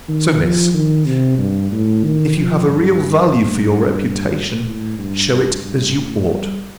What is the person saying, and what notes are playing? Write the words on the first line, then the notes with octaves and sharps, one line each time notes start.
So, Miss, if you have a real value for your reputation, shew it as you ought.
D#3
F3
D#3
C3
G2
A2
D#3
F3
G2
G2
A2
G2
G2
G2
A2
G3